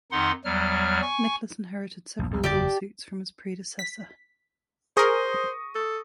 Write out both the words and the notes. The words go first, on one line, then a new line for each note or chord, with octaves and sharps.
Nicholas inherited several lawsuits from his predecessor.
F2 D#3 D#4 F#5 C6
E2 F#3 G3 F6
G#5 C#6
A#1 D#2
B1 F2
F#1 E2 G4 D5 A5
B6
G#4 A#4 C5 C#6 D#6 A#6
A4